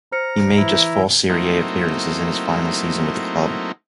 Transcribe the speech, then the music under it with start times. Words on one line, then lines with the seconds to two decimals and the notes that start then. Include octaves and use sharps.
He made just four Serie A appearances in his final season with the club.
0.12 C5 A#5 F6 C#7
0.57 E3 E4
1.29 F#3 A3 A#3 C4 D#4 E4